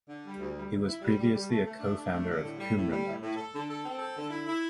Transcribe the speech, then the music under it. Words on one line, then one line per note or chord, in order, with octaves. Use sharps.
He was previously a co-founder of Qumranet.
D3
G3
D2
G3
D2
E4
G3
G3
G3
A3
A3
D4
D4
A3
D3
A2
G3
A2
G3
A2
A2
A4
D3
A4
C4
A4
D3
E4
E4